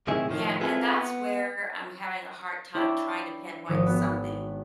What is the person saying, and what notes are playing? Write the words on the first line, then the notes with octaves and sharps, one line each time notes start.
Yeah, and that's where I'm having a hard time trying to pinpoint something.
B1 A2 C3 D#3 E4 G#4
A2 D#3 F3
C4 E4 F4 G#4 A4 B4
B3
D4 E4 C#5 D5 G5
G#1 F3 D#6 C#7
B3 F#4